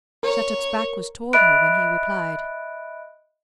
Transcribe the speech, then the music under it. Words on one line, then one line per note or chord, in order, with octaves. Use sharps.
Shattuck's back was toward her when he replied.
A#4 C#5
D#5 E5 B5 F#6 D7